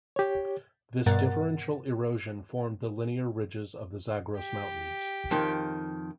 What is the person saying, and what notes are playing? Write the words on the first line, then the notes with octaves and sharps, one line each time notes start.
This differential erosion formed the linear ridges of the Zagros Mountains.
G4 C#5
G2 B2 A#4 F#5 A6
G4
F2 D#3